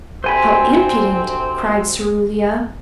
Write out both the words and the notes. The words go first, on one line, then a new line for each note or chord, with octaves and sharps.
"How impudent!" cried Cerulia.
D2 C3 C4 C5 G#5 B5